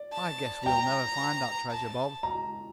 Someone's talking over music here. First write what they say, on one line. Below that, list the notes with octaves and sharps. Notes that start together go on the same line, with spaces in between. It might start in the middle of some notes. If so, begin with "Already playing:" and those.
I guess we'll never find that treasure, Bob.
Already playing: D5
A5
G5 A#5
A5
A#5